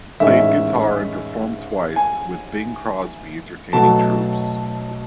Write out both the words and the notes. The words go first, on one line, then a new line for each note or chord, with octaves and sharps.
He played guitar and performed twice with Bing Crosby entertaining troops.
A1 G#2 D#3 G#3 C#4 E5
G#5
B1 B2 F#3 A3 A5